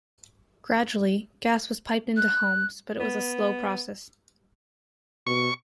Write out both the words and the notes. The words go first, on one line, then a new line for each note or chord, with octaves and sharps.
Gradually gas was piped into homes, but it was a slow process.
F#6
B3
B2 C#6